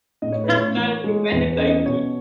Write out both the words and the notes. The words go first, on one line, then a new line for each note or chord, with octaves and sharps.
I'm not a big fan of turkey.
A2 D#5
C#5
B4
A2 C#5
E3
G#3
E2
C#4 D#5
B2 C#5